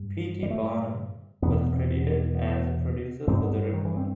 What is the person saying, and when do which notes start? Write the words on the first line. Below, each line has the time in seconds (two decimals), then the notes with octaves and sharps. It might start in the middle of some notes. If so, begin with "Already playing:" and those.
P. T. Barnum was credited as a producer for the record.
Already playing: G2
0.43 G3
0.50 A3
1.42 E2 B2 B3
1.58 B3
1.73 C4
2.35 B3
3.27 G2 C4
3.43 B3
3.73 D#3
3.85 E3
3.97 C4